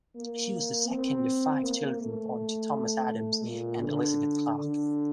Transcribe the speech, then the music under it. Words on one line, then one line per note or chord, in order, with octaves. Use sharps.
She was the second of five children born to Thomas Adams and Elizabeth Clark.
A#3
C4
A#3
A3
A#2
D3
D3